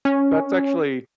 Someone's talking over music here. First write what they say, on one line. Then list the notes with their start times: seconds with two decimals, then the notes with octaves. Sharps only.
That's actually
0.05 C#4